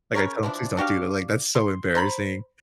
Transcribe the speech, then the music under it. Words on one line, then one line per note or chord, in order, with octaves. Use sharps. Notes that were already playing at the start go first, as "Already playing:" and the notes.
Like, I tell him, "Please don't do that. Like, that's so embarrassing."
C#3 C#4 A#4 C#5
E3 F3 D4
D4 F#4 G4 F5
C6
C5 A#5 B5